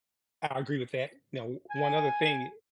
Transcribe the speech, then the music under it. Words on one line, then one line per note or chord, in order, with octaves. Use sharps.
I agree with that. Now, o one other thing,
G#5